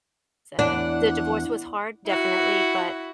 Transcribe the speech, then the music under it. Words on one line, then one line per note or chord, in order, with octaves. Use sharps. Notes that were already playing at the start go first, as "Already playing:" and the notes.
So, the divorce was hard, definitely, but
E2 D4 F#5
E4 F#4